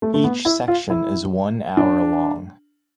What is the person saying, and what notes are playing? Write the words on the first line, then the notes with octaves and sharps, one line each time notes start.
Each section is one hour long.
A3
A3
B3
E4
F4
E4
D4